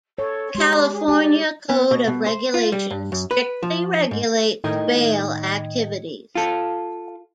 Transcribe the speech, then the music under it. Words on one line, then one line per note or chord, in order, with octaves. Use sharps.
The California Code of Regulations strictly regulates bail activities.
A4 C#5
G#3 G4 C6
G#4
G4 G#4 G#5
D5
B3
B2
B2
C5
F4
G3
G2
F#2
B4
F3
G#2
A2 D#3 D#4 D#5 G5 G#6
F4 A4